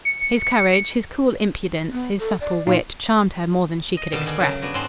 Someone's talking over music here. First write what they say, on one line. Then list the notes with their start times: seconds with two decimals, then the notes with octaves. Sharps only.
His courage, his cool impudence, his subtle wit charmed her more than she could express.
0.05 C#7
1.92 B3
2.19 A4
2.41 D5
2.67 A#2 D#4 F4 F5
3.97 D#5
4.12 B2 D3 D#3 A5
4.26 B2 G#4 D5
4.40 C#3 F#3
4.62 B3 D4 F#4
4.74 G#2 C4 G#4 F#5 A5 C6